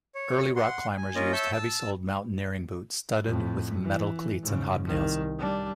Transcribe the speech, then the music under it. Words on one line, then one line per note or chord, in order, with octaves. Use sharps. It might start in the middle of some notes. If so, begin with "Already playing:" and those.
Early rock climbers used heavy-soled mountaineering boots studded with metal cleats and hobnails.
C#5
F#5 C6
G#5
A#3 C#4 F4 D#5
C#5 E5 A5 E6 G6
A5 E6
F2 A2
E3
G#2 C#3
C2 D#3
G3 D4